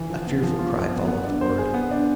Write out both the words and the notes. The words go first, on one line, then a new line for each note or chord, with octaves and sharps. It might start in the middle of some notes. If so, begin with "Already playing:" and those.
A fearful cry followed the word.
Already playing: E3
F3
B3
F3
F4
F3
B3
B3
D4
C5
G#4
B3
D4